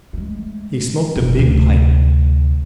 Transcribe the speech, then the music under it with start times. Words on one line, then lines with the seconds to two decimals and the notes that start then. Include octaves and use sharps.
He smoked a big pipe.
0.13 G#3 A3
1.16 E1 C#3
1.39 D2 C3